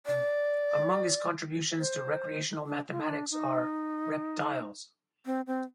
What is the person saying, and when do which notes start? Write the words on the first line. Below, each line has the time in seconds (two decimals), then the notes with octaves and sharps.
Among his contributions to recreational mathematics are "Rep-tiles".
0.06 D5
1.79 C5
2.66 D4
2.92 F4
3.00 D#4
3.10 D4
3.31 D#4
5.26 C4
5.47 C4